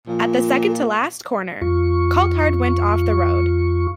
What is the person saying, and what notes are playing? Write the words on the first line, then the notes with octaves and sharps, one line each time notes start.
At the second to last corner Coulthard went off the road.
A#2 F3
F2 F4 C#6